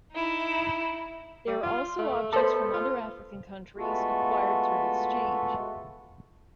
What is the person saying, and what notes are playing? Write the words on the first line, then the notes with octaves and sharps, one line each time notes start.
There are also objects from other African countries acquired through exchange.
D#4 E4
G3
F4
A3
B3 A4 C5
F4
G#3 A3 B3 F4 F#4 A4